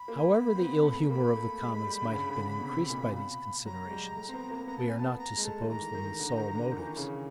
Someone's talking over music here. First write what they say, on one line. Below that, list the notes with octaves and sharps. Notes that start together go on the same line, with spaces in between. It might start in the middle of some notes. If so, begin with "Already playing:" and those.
However the ill humor of the commons might have been increased by these considerations, we are not to suppose them the sole motives.
Already playing: B5
A#3
C4
B3
A3
A#3 B5
A3
G#3
G3
D3
C#3
D3
D3
B2
C3
A#2
B2
A#2
B2 B5
F#3 A#5
G#3
G3
A3
C4
B3
A#3
B3 A#5
A5
B3 G#5
B3 A5
A#5
G#3
A3 A5
D#3
E3 A#5
D#3
D3
D#3
D3
D#3
E3
D#3
C#3